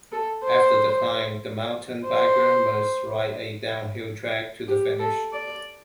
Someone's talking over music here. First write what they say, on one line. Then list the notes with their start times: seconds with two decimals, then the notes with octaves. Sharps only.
After the climb, the mountain biker must ride a downhill track to the finish.
0.12 A4
0.44 C5
2.07 C5
4.68 G4
4.99 A4
5.33 D5